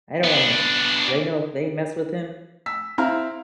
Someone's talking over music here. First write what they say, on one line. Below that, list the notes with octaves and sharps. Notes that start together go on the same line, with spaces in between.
I don't wanna mess with him, 'cause I know if they mess with him,
B3 D4
E6 B6
C4 E4 F5 A#5 F6